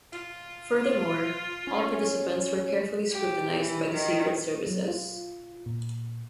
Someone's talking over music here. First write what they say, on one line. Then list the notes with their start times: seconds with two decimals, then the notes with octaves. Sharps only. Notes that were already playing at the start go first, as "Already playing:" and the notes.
Furthermore, all participants were carefully scrutinized by the secret services.
0.12 F4
1.67 C#4
3.11 G4
3.61 E3
3.91 D#3
4.67 F#3
4.88 F4
5.66 A#2